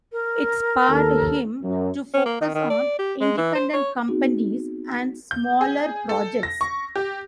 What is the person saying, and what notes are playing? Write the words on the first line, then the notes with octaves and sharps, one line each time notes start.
It spurred him to focus on independent companies and smaller projects.
A#4
D#2 A4
F#2
C#4
A#3
D#3
D#3
D5
G4
G#3
E3
C5
C#5
B3 C4 D#4 F#4 G#4
G6
G#4
A4
A#6
C#6
G4